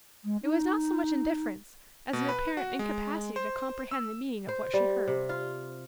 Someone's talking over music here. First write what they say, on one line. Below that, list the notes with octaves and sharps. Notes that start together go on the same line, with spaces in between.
It was not so much indifference as an apparent incapacity to comprehend the meaning of what she heard.
G#3
D#4
B2
B4
F#4
G#3
C5
E6
C5
G3
C3
F4